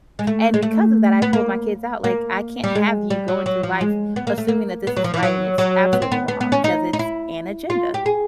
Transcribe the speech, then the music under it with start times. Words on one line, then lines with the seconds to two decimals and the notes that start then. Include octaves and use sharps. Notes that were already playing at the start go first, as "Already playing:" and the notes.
and because of that, I pulled my kids out, like, I can't have you going through life assuming that this is right and it's absolutely wrong because it's an agenda,
0.19 G#3
0.27 A3
0.54 G#3
0.62 A3
1.22 B3
1.33 A#3
2.04 A#3
2.64 G3
2.75 G#3
3.10 G3
3.28 F#3
3.46 F#3
3.63 F3
3.81 G#3
4.16 B3
4.27 A#3
4.38 A3
4.48 A#3
4.87 B3
4.97 F#3
5.04 F3
5.14 E3
5.23 F#3
5.58 F#3
5.93 B3
6.02 C4
6.12 B3
6.28 B3
6.41 B3
6.52 C#4
6.64 D#4
6.93 D#4
6.99 E4
7.70 F4
7.94 G4
8.06 G#4